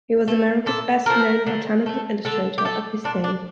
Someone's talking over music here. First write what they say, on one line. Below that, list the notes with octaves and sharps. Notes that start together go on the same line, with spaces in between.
He was America's best known botanical illustrator of his day.
A3
A#2 A4
F3 A3 A#4
D3
A3
D3 A4
G4
A3 A4
A#2 D4
D4